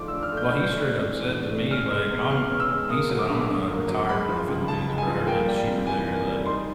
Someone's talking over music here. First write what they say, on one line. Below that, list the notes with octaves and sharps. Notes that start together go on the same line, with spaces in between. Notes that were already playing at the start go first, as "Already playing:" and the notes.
Well, he straight up said to me like, "I'm" he said "I'm gonna retire in the Philippines, bro, everything is cheaper there, like
Already playing: G#2 F3 A3 D4 D6
E6
D4
F6
A3
G6
D4 G6
A3
F#6
C3
E3
D4
A3
C#4 F6
G#3
E2
B2 F6
C#4
E6
G#3
A#3 D#6
F#3
D6
G2
D3
A#3
F#3
G#3 B5
F3
C#2
C#3 A5
G#3
G#5
F3
A#3 G5
G3
C3
E3 G#5
A#3
G3
D#4 C6